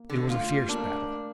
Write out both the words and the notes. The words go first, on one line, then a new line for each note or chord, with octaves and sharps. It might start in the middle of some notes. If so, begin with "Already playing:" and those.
It was a fierce battle.
Already playing: A#3
D3
A3 F4
G3
A#3 D4